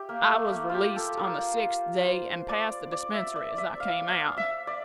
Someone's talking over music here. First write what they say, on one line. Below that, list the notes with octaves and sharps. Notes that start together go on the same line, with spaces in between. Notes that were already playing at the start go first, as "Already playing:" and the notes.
I was released on the sixth day and passed the dispensary as I came out.
Already playing: G4 E5
A#3
A3
A#3
F4 G4
A4
A#4
C5
D5
D5
E5
D5
E5
F5
F5
E5
D5